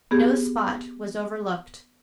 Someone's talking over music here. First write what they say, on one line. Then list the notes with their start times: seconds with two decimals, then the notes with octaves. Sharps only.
No spot was overlooked.
0.11 B3 G4 G#4